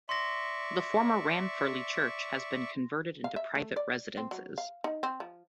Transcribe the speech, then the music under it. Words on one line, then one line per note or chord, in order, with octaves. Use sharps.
The former Ranfurly Church has been converted into private residences.
D5 E5 C6 C#6 A#6
F5
E5
A3
D5
C4
F#3
F5
D#4
C4
F3